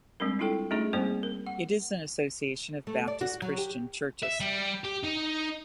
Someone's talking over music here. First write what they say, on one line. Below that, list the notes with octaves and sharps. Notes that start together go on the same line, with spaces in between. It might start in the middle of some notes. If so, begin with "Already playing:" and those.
It is an association of Baptist, Christian churches.
G3 G#3 C4 D4 A#4
D4 E4 F4 A4 G5
A3 C#4 D#4 F4 G#4 D#5
G3 A#3 C4 G#4 C5
A#4
F#5
A3
D5
F#4
F#3
G4
E5
G3
G4
D#4